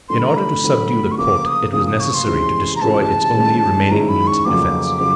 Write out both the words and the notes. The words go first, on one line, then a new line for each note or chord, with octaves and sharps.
In order to subdue the court, it was necessary to destroy its only remaining means of defence.
D3 F#3 A3 C6
B5
A#5
B5
D3 F#3 A3
C#6
C#3 F3 A#3 D6
D#6
C#3 F3 A#3 D#6
D#6
C#6
C6
C3 E3 G#3 C#4 E4
A#5
C3 E3 G#3 C#4 E4 A5
G#2 D#3 G#3 C#4 E4
G#2 D#3 G#3 C#4 E4 A#5
B5
C#6
F2 C#3 F#3 A#3 D6
C#3 F#3